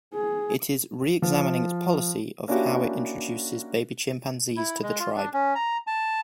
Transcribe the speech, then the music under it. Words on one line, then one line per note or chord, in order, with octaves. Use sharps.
It is reexamining its policy of how it introduces baby chimpanzees to the tribe.
G#4
F3
A#3 C#4 D4 E4 F#4 G4
E4
G#3
F4
D4
C#4
A#5
A5